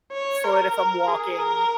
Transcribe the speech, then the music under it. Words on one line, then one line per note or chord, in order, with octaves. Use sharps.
foot, if I'm walking,
C#5
A#4
A#4
G#4
A#4